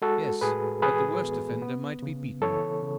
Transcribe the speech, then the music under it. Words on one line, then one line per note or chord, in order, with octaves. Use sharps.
"Yes; but the worst offender might be beaten."
G#3 F#4 A4
A2 G#4 B4
E3 G#4 B4
B3
B3
C#3
E3 A4 C#5
C#3